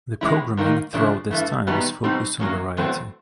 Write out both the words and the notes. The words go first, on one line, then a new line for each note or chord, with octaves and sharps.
The programming throughout this time was focused on variety.
A2 E3 G#3 C#4 E4
G#2 D#3 G3 A#3 D#4
C#3 F3 A3 D4
G2 E3 A3
E2 B2 G3 B3 D#4
B2 G3 C4 D#4
E2 B2 F#3 A#3 C#4
E2 B2 F#3 A3 C4